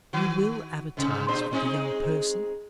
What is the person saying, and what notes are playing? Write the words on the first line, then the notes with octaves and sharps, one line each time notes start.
"You will advertise for the 'young person'?"
D#3 F#4
G#2 C3
A#2 D4 C5
G#3 C4 D#4